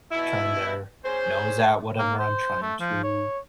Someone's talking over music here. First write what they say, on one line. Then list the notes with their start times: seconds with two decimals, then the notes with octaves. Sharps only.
turn their nose at whatever I'm trying to,
0.12 B2 E4
1.04 C#4 G#4 C5
1.99 A#3
2.19 C5
2.62 A3
2.80 F3
3.03 C#5